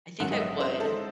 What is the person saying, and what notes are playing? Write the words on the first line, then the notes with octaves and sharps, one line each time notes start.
I think I would,
A1 G#2 D#3 F#3 F#5
D#5
E5
C5
A4